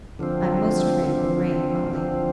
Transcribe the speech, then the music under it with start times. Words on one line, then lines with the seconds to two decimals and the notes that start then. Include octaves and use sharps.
"I'm most afraid it will rain, Polly."
0.19 D3 F3 C4
1.05 D3 F3 C4
1.92 D3 F3 C4